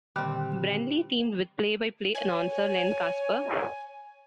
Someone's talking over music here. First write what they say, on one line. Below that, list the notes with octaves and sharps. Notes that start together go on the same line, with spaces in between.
Brenly teamed with play-by-play announcer Len Kasper.
A#2 D3 D#3 G3 C4
C#5 G#5